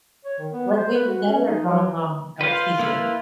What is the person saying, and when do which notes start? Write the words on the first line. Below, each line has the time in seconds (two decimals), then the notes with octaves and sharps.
Like, we've never gone long without speaking,
0.25 C#5
0.39 D#3
0.52 B3
0.76 C5
0.94 B4
1.07 F#4
1.27 C#4
1.45 D#4
1.66 F#3
2.41 F4 B4 C5 F5
2.79 A#3 E4 B4